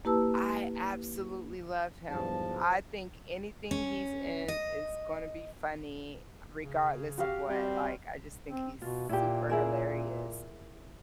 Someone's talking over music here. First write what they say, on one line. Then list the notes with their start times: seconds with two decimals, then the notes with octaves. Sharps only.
I absolutely love him. I think anything he's in is gonna be funny, regardless of what, like, I just think he's super hilarious.
0.05 A#3 E4 G4 B4 A5 E6
2.09 B1 E2 G2 F3 A5
3.71 C#4
4.48 D#5
6.61 C#3
7.18 F#4 G4 F5
7.48 G3 C4
8.48 C4
8.82 B2 F4
9.09 A#2 E4 G4
9.49 E4 G#4 A#4